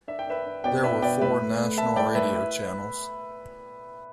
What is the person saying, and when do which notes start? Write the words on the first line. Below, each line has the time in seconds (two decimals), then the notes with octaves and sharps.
There were four national radio channels.
0.08 D4 E5
0.19 G5
0.26 D4 B4 E5
0.46 D4
0.64 B2 D5 G5
0.83 D4 B4 E5
1.02 B2 D5 G5
1.21 A2 B4 E5
1.40 A3
1.59 A3
1.78 A3 E5 A5
1.96 A2 D5 G5
2.15 A2 B4 E5
2.34 E4